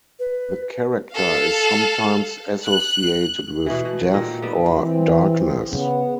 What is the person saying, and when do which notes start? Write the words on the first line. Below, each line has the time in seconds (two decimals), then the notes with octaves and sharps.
The character is sometimes associated with death or darkness.
0.19 B4
1.12 A4 F5
2.65 F#6
3.66 B2 E3
3.85 B2
4.14 A#2 D#3
4.42 G3 B3
4.80 E3 C4
5.70 C#3 B3